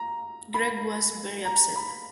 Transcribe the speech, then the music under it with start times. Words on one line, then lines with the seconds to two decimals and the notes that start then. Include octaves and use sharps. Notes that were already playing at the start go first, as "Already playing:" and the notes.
Greg was very upset.
Already playing: A#5
0.54 B5
1.45 A#5
1.76 B5